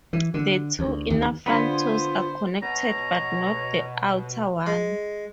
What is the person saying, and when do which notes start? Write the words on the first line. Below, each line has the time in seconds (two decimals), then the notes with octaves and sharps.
The two inner front toes are connected, but not the outer one.
0.13 E3
0.34 D3
0.79 D2
1.10 D#2
1.46 D3 B3 F4 C5 G#5 B5 B6
2.62 B2 C#5 A#5
4.67 G#3